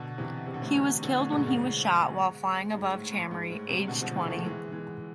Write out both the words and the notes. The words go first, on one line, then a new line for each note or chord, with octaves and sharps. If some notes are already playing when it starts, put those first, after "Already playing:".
He was killed when he was shot while flying above Chamery, aged twenty.
Already playing: B2 D3
C3 E3
C3
D3
A2 C3
C3 E3
D3 F3
A2
G#2 B2
G#2 B2
G#2
G#2
A2
A2
G#2
A2
A2 C3
B2 D3
D3 F3
E3 G#3
F3 A3
E3 G#3
E3 G#3